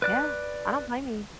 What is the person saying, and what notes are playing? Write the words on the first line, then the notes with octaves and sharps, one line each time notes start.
Yeah. I don't blame you.
B4 D5 F#6